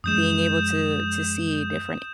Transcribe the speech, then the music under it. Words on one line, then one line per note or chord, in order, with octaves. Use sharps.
being able to to see different a
F#2 F3 G#3 D#6 G6 E7